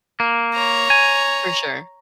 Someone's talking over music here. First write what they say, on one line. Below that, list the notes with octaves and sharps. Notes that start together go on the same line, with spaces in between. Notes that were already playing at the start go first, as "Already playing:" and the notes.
For sure.
A#3
C#5 A#5
G#5